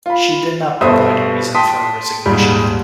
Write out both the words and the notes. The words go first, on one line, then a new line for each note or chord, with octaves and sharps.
She did not provide a reason for her resignation.
F4 B5
G2 B2 A4 C5 E5 D#6
G5 A5 C6 D#6 B6
D#1 G#2 G3 B5